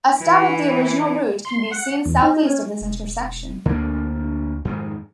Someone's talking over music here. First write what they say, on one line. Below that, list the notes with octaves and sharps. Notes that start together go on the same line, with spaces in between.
A stub of the original route can be seen southeast of this intersection.
E3
C6
F#5
E2
D#4
C#4
E1
D2 D3 A#3 D4
F2 G#2 D#3